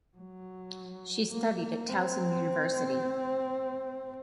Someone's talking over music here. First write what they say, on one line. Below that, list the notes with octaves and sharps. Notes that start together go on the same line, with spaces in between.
She studied at Towson University.
F#3
A#3
A#3
C4